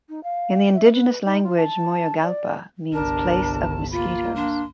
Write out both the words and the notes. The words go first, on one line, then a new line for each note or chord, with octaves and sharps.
In the indigenous language Moyogalpa means place of mosquitos.
D#4
F5
E5
B4
D#4
F4
A5
D5
G1 C2 D4 A#4 A5
A#3 F4 B5
D4 C6